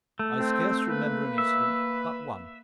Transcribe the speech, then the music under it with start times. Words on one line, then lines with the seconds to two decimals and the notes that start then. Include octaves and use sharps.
I scarce remember an incident but one.
0.19 A3
0.39 C4
0.88 A#3 B4
1.38 E5